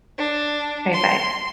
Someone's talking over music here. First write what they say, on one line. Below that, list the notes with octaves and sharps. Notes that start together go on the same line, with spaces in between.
Alright. Bye.
D4
C6